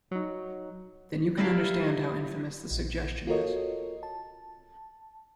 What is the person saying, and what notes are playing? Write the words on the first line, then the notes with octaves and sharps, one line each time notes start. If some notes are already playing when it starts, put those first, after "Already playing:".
Then you can understand how infamous the suggestion is.
F#3 D#4
G3 E4 A#4 E5 F5 A5
A#1
F4 F#4 A4 A#4 C#5 D#5
A5